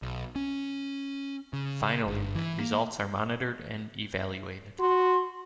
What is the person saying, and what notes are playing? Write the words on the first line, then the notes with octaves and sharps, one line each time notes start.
Finally, results are monitored and evaluated.
B1
C#4
C#3
G1
E3
A#3
F#4 C6